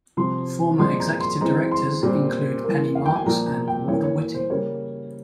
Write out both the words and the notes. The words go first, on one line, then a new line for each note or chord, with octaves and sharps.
Former executive directors include Penny Marks and Ward Whiting.
C3 F3 C4 C6
A#2 F3 G#3 C4 C6
A#5
C6
E3 G#3 C4 A#5
C6
A#2 G3 C4
E3 A#3
F5
G5
G#5
A#2 F3 A#3 A#5
A#5
G5
E3 A#3 C#5
C#5
C#5
C5
C#3 G3 A#3 C#5